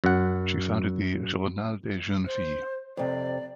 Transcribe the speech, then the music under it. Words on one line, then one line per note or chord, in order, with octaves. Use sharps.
She founded the "Journal des jeunes filles".
F#2 F#5
C5
F2 C3 D5